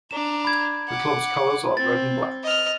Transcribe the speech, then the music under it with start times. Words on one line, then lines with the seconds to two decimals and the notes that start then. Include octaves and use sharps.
The club's colors are red and black.
0.11 D4 A#5 E7
0.45 B5 G#6
0.88 F#5 D6
1.77 C4 A6
2.43 D#5 F6